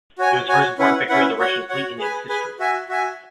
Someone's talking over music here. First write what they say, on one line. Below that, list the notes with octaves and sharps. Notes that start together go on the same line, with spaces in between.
It was the first important victory of the Russian fleet in its history.
F#4 C#5 G#5
F#4 C#5 G#5
C#4 E4 B4 F#5
C#4 E4 B4 F#5
F#4 C#5 F#5
F#4 C#5 F#5
G#4 B4 G#5
G#4 B4 G#5
F#4 E5 G#5
F#4 E5 G#5